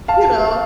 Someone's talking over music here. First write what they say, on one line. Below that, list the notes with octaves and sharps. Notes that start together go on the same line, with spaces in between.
You know?
F5 A5